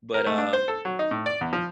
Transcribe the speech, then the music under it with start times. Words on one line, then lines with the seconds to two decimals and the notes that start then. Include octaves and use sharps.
But, um,
0.14 A#4
0.27 A3
0.38 D4
0.53 C5
0.68 A4
0.85 F#3
0.99 D#4
1.11 A2
1.26 D5
1.41 E2
1.53 F3